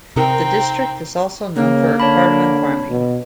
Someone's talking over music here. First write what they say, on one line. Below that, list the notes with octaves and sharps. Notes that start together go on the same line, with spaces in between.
The district is also known for cardamom farming.
C3 C4 D#4 A#4 G5 A#5
C#3 A#3
D3 C#5 A5 B5
B2